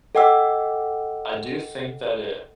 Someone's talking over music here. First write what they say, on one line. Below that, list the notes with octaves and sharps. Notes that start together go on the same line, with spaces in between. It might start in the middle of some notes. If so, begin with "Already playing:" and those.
I do think that it
A4 D#5 F#5 G5 D6 E6